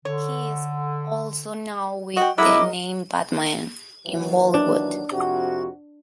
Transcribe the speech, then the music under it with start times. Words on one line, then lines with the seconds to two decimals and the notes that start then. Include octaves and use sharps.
He is also known with the name "Bad Man" in Bollywood.
0.05 D3 C#5
2.17 F#4 D#5 G5
2.38 F#3 G#3 E4 F#4 A#4 D#5 D6
4.07 D#2 E3 F#3
4.54 D4
5.12 F2 C3 F#4